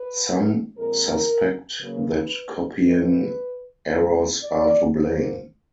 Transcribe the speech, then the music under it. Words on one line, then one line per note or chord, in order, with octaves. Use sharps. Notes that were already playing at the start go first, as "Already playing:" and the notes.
Some suspect that copying errors are to blame.
Already playing: B4
A#2 F3 G#3 C4 A#4
C#3 F#3 A#3 B4
A2 E3 A3 C4 B4
A#2 F3 G#3 C4
D5
D#3 F#3 A#3 C5